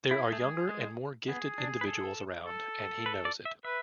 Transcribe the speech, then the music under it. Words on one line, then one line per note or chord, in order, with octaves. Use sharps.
There are younger and more gifted individuals around and he knows it.
E4 G#4
A3
G#3
G#3
B3 G#4
D4
B4
A4
A4
B4
D5
E5
B4 E5